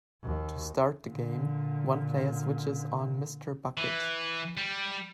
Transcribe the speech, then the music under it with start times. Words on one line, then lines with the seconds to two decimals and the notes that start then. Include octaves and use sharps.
To start the game, one player switches on Mr. Bucket.
0.22 D#2
1.07 A#2 D3
3.78 E3
4.57 G3